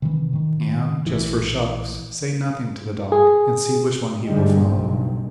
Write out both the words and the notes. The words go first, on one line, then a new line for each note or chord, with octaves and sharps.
Am, just for shucks, say nothing to the dog and see which one he will follow.
C3 D#3 E3
A2 D#3
A#1 A2 E3
G#4
G2 D3 G3 G#3
F#1 B1 G2